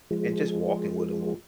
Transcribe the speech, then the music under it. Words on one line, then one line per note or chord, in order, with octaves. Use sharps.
and just walking with 'em, or
F3 G#3